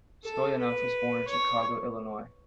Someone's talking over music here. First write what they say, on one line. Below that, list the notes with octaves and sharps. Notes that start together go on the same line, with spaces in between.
Stoyanov was born in Chicago, Illinois.
A4
B4
C#5